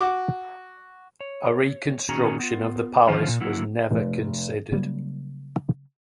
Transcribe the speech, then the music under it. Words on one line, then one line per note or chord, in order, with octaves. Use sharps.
A reconstruction of the palace was never considered.
F#4 D6
C#5
A#2 D#3 C#4 F#4 G#4 A#5
B3 F4
D3 D#3 F3 C#4 F4 C5
A#2
D3 F#3 A#3 E4 F#4
F1
C#3 F#3 G3 A#3